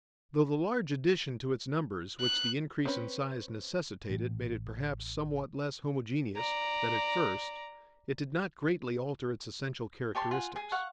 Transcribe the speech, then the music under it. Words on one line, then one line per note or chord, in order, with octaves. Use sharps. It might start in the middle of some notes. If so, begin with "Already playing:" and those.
Though the large addition to its numbers which the increase in size necessitated made it perhaps somewhat less homogeneous than at first, it did not greatly alter its essential characteristics.
F#6
C4 C#4 B4
A1
D5 A#5
G4 C#5 A5 C6
F4 F#5 G#5
G#4 G#5
F5 F#5 C#6